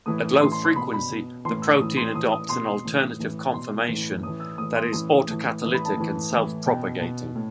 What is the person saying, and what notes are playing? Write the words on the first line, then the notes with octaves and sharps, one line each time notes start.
At low frequency the protein adopts an alternative conformation that is auto-catalytic and self-propagating.
A2 E3 D#6
A2 E3 C6
C6
C6
B2 B5
B5
B2
A2 E3 C6
E6
A2 E3 D#6
C6
A2 E3 D#6
D#6
B2 C6
A2 E3
A2 E3
B2 C6
A2 E3
A2 E3 D#6
E6
A2 E3 D#6
C6
A2 E3 D#6
A2 E3
A2 E3 D#6
B5
A5
A2 E3
A2 E3
B2 G5
B2
A2